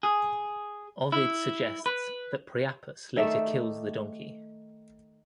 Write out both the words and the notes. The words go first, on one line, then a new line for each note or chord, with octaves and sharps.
Ovid suggests that Priapus later kills the donkey.
G#4
E4
B4
D#3 A3 D5 E5